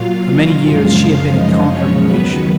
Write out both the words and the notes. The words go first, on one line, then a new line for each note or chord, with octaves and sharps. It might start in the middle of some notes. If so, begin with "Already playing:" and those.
For many years she had been a conquering nation.
Already playing: A#2 F#3 F4 F5
F#2 C#3 F3 G#3 F4 F5
D#4 D#5
C#4 C#5
D#2 D#3 F#3 B3 B4